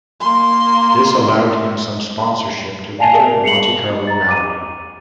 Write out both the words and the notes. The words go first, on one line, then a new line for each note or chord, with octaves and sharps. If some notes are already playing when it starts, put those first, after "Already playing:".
This allowed him some sponsorship to enter the Monte Carlo Rally.
A#3 C6
D5 F5 G#5 A5 C7 F7
G#4 A#4 D5 E5
C7 C#7 F7 F#7
A#5 A6
D6 D#7